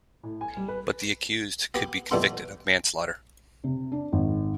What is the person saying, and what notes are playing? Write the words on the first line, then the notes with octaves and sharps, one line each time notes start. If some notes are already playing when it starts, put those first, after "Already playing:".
But the accused could be convicted of manslaughter.
A2
G#5
G3
B4
B3 G4
E2 B2 G3 A3 B3 C6
C3
D4
G#1